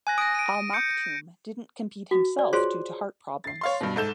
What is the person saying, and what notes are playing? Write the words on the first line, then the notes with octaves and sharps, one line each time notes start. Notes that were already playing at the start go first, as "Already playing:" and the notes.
Al Maktoum didn't compete himself due to heart problems.
G#5 F#6 A#6
D#6 A#6 D7
D7 D#7
G6 C#7 D7
F#4
D5
F4 G#4 C5 C#5 C6
A6 C7
C#5 F5 C6
G2 B2
G#2 A4 G6 E7